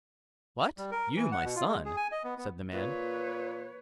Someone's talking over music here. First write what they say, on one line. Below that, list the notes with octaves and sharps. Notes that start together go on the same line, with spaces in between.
'What, you my son!' said the man.
G3
A#4
E3
F#5
B2
F4
G#3
G#4
G#5
D#5
B3
B3
A#2 B4 C#5